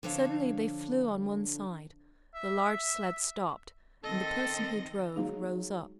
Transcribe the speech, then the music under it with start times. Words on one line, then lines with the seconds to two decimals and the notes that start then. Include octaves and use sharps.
Suddenly they flew on one side; the large sledge stopped, and the person who drove rose up.
0.03 D3 F3 D4 A4 C#5 F5
2.34 E5
4.04 D#3 C4 A4 D#5
5.16 F#3 G#3 D#4 F5